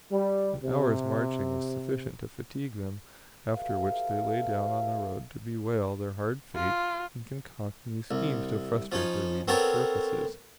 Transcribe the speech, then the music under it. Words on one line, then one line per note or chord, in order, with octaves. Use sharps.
An hour's marching was sufficient to fatigue them, after which they lay down on the road to bewail their hard fate, and concoct new schemes to frustrate their leader's purposes.
G3
C3
F#4 G4 A4 B4 E5 F5
F4
C2
F3 C#4 D#4
B3 C4 F#4 A4 A#4 C#5